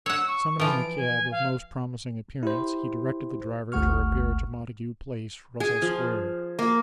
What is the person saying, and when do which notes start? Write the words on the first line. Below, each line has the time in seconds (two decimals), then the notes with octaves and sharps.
Summoning the cab of most promising appearance, he directed the driver to repair to Montague Place, Russell Square.
0.06 C#5 F#5 E6
0.28 C#6
0.60 E3 F3 D7
0.97 G#5
1.31 F5
2.43 E4 G4 C5
3.72 G1 D2 A3 F#5 C#6 F6
5.60 G#4
5.82 F3
6.59 A#3